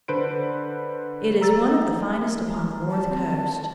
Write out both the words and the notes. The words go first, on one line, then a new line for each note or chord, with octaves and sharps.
It is one of the finest upon the north coast.
D3 B4 C5 D7
A#5 E6 A6
G#3 A#5 F6
A5
C4